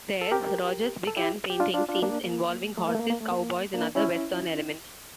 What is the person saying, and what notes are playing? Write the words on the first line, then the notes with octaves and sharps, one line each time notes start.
There, Rogers began painting scenes involving horses, cowboys, and other "western" elements.
A4
G4 A#4
A4
E4 G4
G4
D4 F4
D4 F4
D4 F4
A#3 D4
A#3
A3
A#3
A3
A#3
A#3
A3
A#3
A#3 D4
C#4 E4